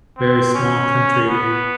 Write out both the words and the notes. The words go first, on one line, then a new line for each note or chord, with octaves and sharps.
very small country
C4
C#4
B3